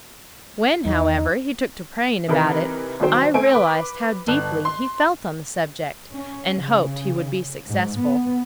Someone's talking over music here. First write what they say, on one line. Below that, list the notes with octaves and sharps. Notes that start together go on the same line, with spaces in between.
When, however, he took to praying about it, I realized how deeply he felt on the subject, and hoped he would be successful.
E2 D#4
C3 E3 D#4 A#4 B4
C2 D#3 F#3 C5 G5
A3 C4 G#5 D7
B4 D6
G1 A5 F#6
C6
C#4
C#3
G#2
B3